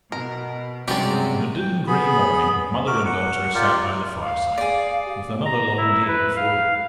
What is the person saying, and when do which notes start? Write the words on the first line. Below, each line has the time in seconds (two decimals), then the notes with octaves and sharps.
On a dim gray morning, mother and daughter sat by the fireside, with another long day before them.
0.12 B2 A#4
0.88 G2 C3 F#3 G#3 C4 C#4 G4 D5
1.58 G5
1.87 B3 G#4 B5
2.87 F#4 A#4 D6
3.05 F#5
3.55 F4 G4 A#4 D5
4.23 F5
4.58 G#4 D5
5.05 G4
5.45 A#5
5.78 E4
6.08 B4
6.36 F5